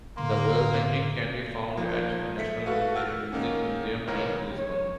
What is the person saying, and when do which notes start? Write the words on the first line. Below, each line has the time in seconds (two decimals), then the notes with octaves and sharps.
The oil painting can be found at the National Music Museum in Lisbon.
0.17 A2 D3 A#3 C6
1.77 D#3 F3 A#3
2.37 A4 E5 B6 C#7
2.66 F#4 A4 B4 F5
2.95 F#5 E6 F6
3.32 D#3 A#3 C#4
4.07 C#2 D#3 E3 A#4 C#5
4.58 C#5